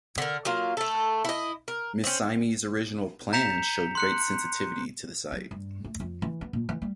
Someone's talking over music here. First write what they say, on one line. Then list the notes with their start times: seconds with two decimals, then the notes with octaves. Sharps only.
Ms. Symmes' original plan showed great sensitivity to the site.
0.18 D3 A#4
0.45 F#3 A#3 F4
0.77 A3 A4
1.25 E4 D#5
1.68 A#4
2.04 C4 C#4
3.33 A#5 G6 B6 C#7 E7 F7
3.95 C6 F#6 C#7
5.32 F#3
5.51 G2
5.84 A3
6.00 F2
6.22 E3
6.41 B3
6.53 A#2
6.69 E3
6.82 G3